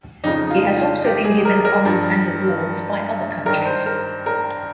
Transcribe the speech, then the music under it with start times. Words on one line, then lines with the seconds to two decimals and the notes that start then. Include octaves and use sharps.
He has also been given honours and awards by other countries.
0.24 F2 C#3 F3 D#4
0.50 F4
0.77 F4
1.05 G4
1.24 G#4
1.45 A#4
1.65 A#4
1.85 G2 F3
3.46 G2 A#4
3.49 D#3
3.66 C5
3.86 A#4
4.26 A#4